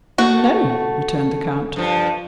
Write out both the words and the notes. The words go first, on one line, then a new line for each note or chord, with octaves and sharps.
"No," returned the count.
A3 F#4
G2 F3